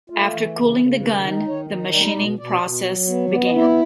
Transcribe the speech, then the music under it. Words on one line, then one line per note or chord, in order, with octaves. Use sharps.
After cooling the gun the machining process began.
A3 F4
E3
C#3
C#3
D#3 B4
D#4
D#3 C#5
D#4
G3 D5
D#5
B2 D5
D#5
B2 D5
B2
F#3
B3
B3 D5
D#5
E4
D5